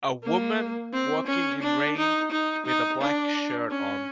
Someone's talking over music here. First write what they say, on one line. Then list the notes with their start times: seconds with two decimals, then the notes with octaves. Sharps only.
A woman walking in rain, with a black shirt on.
0.23 A#3
0.93 C4
1.27 C#4
1.62 D4
1.97 D#4
2.31 D#4
2.66 D#4
3.01 D4
3.70 C#4